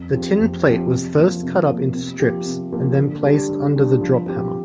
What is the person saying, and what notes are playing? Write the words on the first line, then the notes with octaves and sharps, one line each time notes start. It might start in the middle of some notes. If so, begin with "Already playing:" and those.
The tinplate was first cut up into strips, and then placed under the drop-hammer.
Already playing: F2
F3 C4 G4
F2
F3 C4 G4
C3
F3 A#3
C3
F3 A#3
C3
F3 A#3 G4
C3
F3 A#3 G4
D3
G3 D4 G4
D3
G3 D4 G4
F3
C4 G4